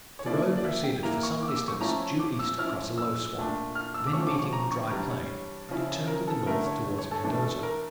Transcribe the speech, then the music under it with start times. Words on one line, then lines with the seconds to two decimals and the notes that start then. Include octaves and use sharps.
The road proceeded for some distance due east across a low swamp; then meeting the dry plain, it turned to the north towards Mendoza.
0.19 C#5
0.25 F3 A#3 E4 D5
0.57 D5
0.65 E5
0.84 G5
1.03 E3 A#3 E4 A#5
1.23 C#6
1.42 D6
1.49 E6
1.56 D6
1.68 C#6
1.81 F3 A3 C#4 E4 A#5
2.19 D6
2.39 E6
2.58 F3 C#4 E4 F6
2.98 E6
3.37 A#2 A3 D4
3.75 F6
3.94 E6
4.06 D6
4.13 D3 F3 A3 C#4 C#6
4.27 D6
4.39 C#6
4.53 A#5
4.72 C#6
4.91 E3 G3 D4 A#5
5.10 C#5
5.69 C#3 F3 C#4 E4
6.07 A#4
6.27 A4
6.46 D3 A3 E4 A#4
6.66 C#5
6.98 C#5
7.11 A4
7.24 E3 A3 D4 A4
7.44 A4
7.63 A#4